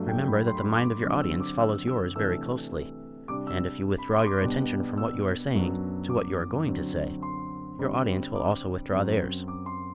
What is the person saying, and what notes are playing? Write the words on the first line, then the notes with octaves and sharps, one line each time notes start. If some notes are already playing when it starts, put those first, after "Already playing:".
Remember that the mind of your audience follows yours very closely, and if you withdraw your attention from what you are saying to what you are going to say, your audience will also withdraw theirs.
Already playing: G2 F#3 A3
G5
B5
C6
B5
C6
D6
D3 F#3 C4 D6
E6
D6
E6
E6
C3 E3 A3 D4 E6
C3 G3 D4 D6
E6
B5
C6
D6
B2 G3 B3 D4
E6
F#2 F#3 B3 D4
D6
D6
D3 F#3 C4
C6
D3 G3 C4
D6
F#2 F#3 C4
D6
C6